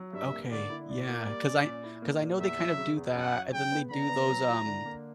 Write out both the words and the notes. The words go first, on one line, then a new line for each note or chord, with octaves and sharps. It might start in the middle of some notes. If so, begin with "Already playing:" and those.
Okay. Yeah, 'cause I cause I know they kind of do that, and then they do those, um,
Already playing: F#3
G2 E5
A#3
D3 D5
E4
A#2 D5
A#3
G3
C#4
A#2
E4
A#3
A#2
E2 E5
F#3
C#3
E2
F#2 F#5
F#3
C#3 G5
B3
D3 A#5
B3
F#3
E4
D3
A#3